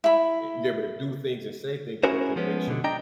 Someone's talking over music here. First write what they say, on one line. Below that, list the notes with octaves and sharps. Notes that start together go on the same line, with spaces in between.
eh, you're able to do things and say things with conviction
E4 B5
C#4 E4 F#4 G#4 A#4 C5
F3 G#3 B3 C#4
B2 D3
D4 D#5 G5 A#5